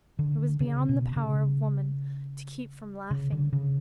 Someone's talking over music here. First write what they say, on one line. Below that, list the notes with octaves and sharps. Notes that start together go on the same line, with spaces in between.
It was beyond the power of woman to keep from laughing.
D3
C#3
B2
C#3
C#3
D3
C#3